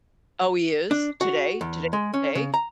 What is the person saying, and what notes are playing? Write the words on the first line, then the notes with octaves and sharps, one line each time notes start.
Oh, he is? Today? Today today?
D4
F#4
E2
G#3
C#4
C#3
A#5